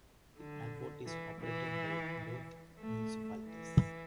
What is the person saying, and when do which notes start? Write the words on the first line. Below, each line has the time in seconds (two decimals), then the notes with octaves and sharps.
The airport is operated by both municipalities.
0.37 D3
1.06 E3
1.41 E3
2.79 A3
3.47 E3